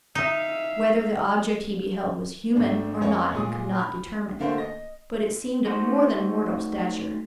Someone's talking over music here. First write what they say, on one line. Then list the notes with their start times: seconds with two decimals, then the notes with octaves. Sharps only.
Whether the object he beheld was human or not he could not determine, but it seemed of more than mortal stature.
0.15 D#4 E5 F5
2.55 G#1 A3 D4
3.01 F2 A#3 C#4 C#5 D#5
3.34 A#2 G#3 D#6
3.77 B5 F6
4.39 D3 A3 A#3 F#4 C5
4.58 D#5 A#6
5.65 A3 D#4 F#4 C5